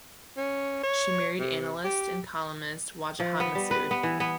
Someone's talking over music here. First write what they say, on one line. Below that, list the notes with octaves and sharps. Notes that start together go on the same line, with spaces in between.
She married analyst and columnist Wajahat Masood.
C#4
C#5
C3
G4
F3
B3
G3
B4
B3
E3
B3